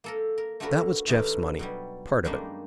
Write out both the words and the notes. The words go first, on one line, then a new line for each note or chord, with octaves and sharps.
That was Jeff's money--part of it.
A#3 A4 A#4
A#4
A3 D4 F4 F#4 A#4 B4
E3 A3 D4 D#4 B4
B2 F#3 G3
F#2 G3 G#3 A#3 D4 D#4